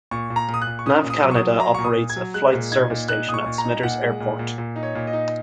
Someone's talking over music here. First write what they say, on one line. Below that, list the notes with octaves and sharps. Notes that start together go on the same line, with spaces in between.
NavCanada operates a Flight Service Station at Smithers Airport.
A#2 C#6
A#2
A#5
A#2
D#6
F#6
A#2
C#6
C#4 D#6
A#2
D#6
F#3
C#6
D#6
F#3
F#3 A#5
A#2 C#6
D#6
A#2
G#6
F#3
G#3 F#6
A#2
D#4 G#6
A#2
D#4 F#6
A#2 D#6
C#6
A#2
A#5
D#4
A#2 F#5
G#3
A#2
A#2
A#2
D#4
C#5
A#2
D#5
D#4